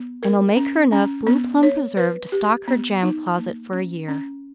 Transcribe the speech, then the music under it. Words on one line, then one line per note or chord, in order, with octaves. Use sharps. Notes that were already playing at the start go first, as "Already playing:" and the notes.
And I'll make her enough blue plum preserve to stock her jam closet for a year.
Already playing: B3
A#4
C#4
C#4
B3
C#5
B4
G4
B3
D#4
A#3
C#4
C#4